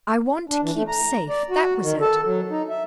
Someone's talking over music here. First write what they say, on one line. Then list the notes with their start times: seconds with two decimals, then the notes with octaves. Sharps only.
'I want to keep safe.' That was it.
0.49 D4
0.63 E3
0.75 A3
0.88 A#5
1.30 D5
1.50 F#4
1.82 D#3
2.01 A4
2.25 F#3
2.50 D#4
2.69 E5